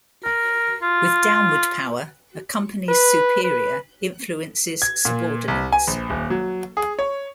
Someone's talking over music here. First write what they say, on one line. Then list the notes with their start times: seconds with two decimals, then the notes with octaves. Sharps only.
With downward power, a company's superior influences subordinates.
0.24 A#4
0.82 F4
2.89 B4
3.43 B4
4.82 G#6
5.05 A#2
5.48 C2
5.73 G#5
5.88 A#1
6.10 D#1
6.30 F#3
6.77 G#4
6.99 C#5